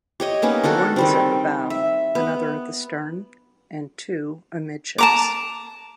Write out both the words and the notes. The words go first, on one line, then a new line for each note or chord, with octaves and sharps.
One was at the bow, another at the stern, and two amidships.
G4 C#5 D#5
A#3 B3 C#4 D#4
D#3 D4 F#4 A4
D#3 G3 C4
E5
B3
A5 A#5 D6